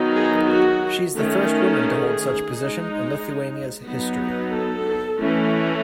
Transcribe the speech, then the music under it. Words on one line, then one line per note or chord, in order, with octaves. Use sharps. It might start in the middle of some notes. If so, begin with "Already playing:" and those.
She is the first woman to hold such position in Lithuania's history.
Already playing: D#3 F#3 B3 D#4
G#4
F#4
D#3 A3 C#4
G#4
G#3 D#4
F#3 B3 D#4
A4
E3 A3 C#4